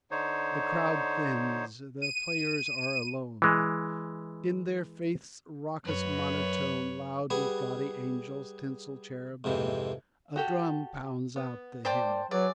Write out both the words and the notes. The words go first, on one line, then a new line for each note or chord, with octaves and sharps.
The crowd thins, the players are alone; In their faith's raucous monotone, Loud with gaudy angels, tinsel cherubim, A drum pounds out the hymn.
D3 D#4 C5 C#5
D#7
E3 G#3
F#2 B4 C#5
G3 G#4 B4 F#5
F2 G#2 C3 E3
F#4 G4 A4
B3
A#3 C5 D5 G5 A5
F#3 G#4 B4 D5